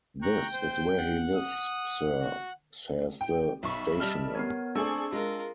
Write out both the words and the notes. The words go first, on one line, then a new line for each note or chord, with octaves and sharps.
"This is where he lives, sir," says the stationer.
G5 A#5 C#6 F#6
C5
F#5
D#6
F#4
G5
B1 E5 B5 C#6
G3 D#5 A5 F6
B3 A#4 C#5
A3 C4 D4 G#4 D5 C#6 E6
G#3 F4 A#4